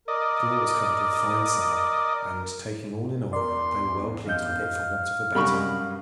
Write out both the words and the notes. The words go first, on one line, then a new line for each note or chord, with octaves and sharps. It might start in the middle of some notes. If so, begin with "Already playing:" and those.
The floor was covered with fine sand, and taking all in all they were well pleased with it for want of a better.
A#4 D5 D#5
E2 A#4 D5 C6
F2 D#5 F5 G6
F#2 C3 G3 G#3 B5 C#6
G2